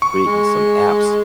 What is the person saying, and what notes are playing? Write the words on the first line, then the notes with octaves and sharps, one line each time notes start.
creating some apps
C#6
G#3